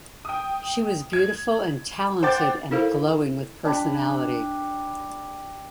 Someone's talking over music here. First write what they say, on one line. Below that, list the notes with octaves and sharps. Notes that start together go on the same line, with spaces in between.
She was beautiful and talented and glowing with personality.
G5 D#6
G#6
C5 F#5 G5 D6 A6
D#4 E4 A4 A#4 C5 F5
D4 G4 A5 B5